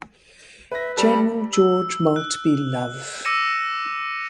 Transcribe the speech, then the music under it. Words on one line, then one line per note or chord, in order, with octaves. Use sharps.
General George Maltby Love.
B4 E5 A#6
G3 A4 B5
E6
F#6
D6 E6 A#6 C#7 D#7 E7